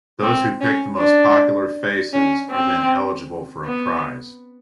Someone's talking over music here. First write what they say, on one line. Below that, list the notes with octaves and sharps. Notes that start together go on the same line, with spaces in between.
Those who picked the most popular faces are then eligible for a prize.
C4
C#4
D4
C#4
C4
B3